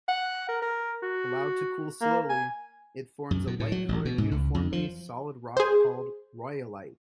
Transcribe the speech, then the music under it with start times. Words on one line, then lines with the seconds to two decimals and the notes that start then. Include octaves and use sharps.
Allowed to cool slowly, it forms a light-colored, uniformly solid rock called rhyolite.
0.08 F#5
0.48 A#4
0.62 A#4
1.02 F#4
2.01 A#3
2.30 G#5
3.31 F#2
3.47 B2
3.60 A2
3.72 F#3
3.89 A1
4.05 B2
4.18 G#2
4.31 C#2
4.55 F2
4.72 F3
5.57 G#4 C5